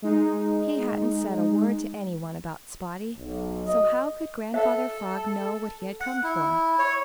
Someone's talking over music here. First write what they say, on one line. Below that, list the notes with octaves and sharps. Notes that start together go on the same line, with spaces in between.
He hadn't said a word to any one about Spotty, so how could Grandfather Frog know what he had come for?
G#3 D#4
B1
D#5
A4 E5
F#5
E4
C#5